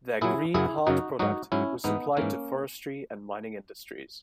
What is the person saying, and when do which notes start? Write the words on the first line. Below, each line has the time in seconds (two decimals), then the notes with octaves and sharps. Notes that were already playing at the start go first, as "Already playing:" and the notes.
Their Green Heart product was supplied to forestry and mining industries.
0.21 A#2 F#3 E4 G#4
0.54 F#2 C#3 F#3 E4 G#4
0.87 F#2 C#3 F#3 D#4 F#4
1.19 G#2 F#3 D#4 F#4
1.52 G#2 F#3 C#4 E4
1.84 G#2 E3 B3 D#4
2.17 G#2 E3 A#3 C#4